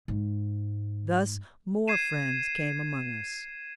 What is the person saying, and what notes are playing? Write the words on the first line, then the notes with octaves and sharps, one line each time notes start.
Thus more friends came among us.
G#2
G#6 C7 D#7 E7